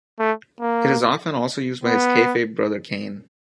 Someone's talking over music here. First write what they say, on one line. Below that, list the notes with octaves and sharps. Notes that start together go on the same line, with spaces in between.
It is often also used by his kayfabe brother Kane.
A3
A#3
B3